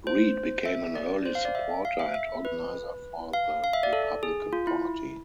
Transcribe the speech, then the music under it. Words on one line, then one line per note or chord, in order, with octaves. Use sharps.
Read became an early supporter and organizer for the Republican Party.
C5
E5
D5
C5
F5
D5
E5
F5
E5
E5
B4
F5
F5
E5
D5
A4
G#4
F4
E4